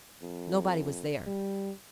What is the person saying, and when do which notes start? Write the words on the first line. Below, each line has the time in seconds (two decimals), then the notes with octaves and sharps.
Nobody was there.
0.22 F2
1.27 G3